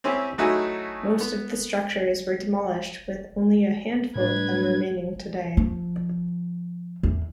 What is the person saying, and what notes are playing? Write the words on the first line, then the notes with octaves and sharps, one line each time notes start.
Most of the structures were demolished with only a handful of them remaining today.
C4 C#4 E4 G4 C5
F#3 A3 D#4 E4 F#4 G#4
B3
A2 G3 D4 B4 G#6
F3
E2